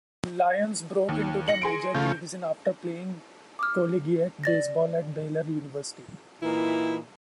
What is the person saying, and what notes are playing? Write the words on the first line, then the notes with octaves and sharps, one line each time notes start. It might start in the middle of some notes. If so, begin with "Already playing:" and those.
Lyons broke into the major leagues in after playing collegiate baseball at Baylor University.
D#2
A#6 C#7 F#7
G#4 C6 D7
C#3 A3 F4 G6
D6 D#6 F6
D5 A6 A#6
A#2 E3 D#4 E4